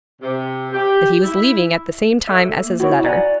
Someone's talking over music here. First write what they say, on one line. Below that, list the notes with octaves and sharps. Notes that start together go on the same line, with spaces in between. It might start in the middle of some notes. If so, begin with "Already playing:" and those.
"That he was leaving at the same time as his letter."
C3
G4
E4
A4 E5
A#3
E4 F#4 C#5
D5 F#5 G#5 A#5